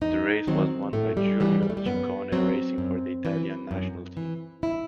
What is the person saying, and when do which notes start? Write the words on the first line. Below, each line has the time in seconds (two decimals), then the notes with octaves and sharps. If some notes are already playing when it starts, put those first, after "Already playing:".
The race was won by Giulio Ciccone racing for the Italian national team.
0.01 E2 D#4
0.47 D#3 F#3 C4
0.93 A2 A3
1.17 G3
1.40 E3 G3
1.63 G3
1.70 A3
1.77 G3
1.86 F#2 B3
2.32 F#3 C4
2.78 F#2
3.25 E3
3.71 F#2
4.17 E3
4.63 E4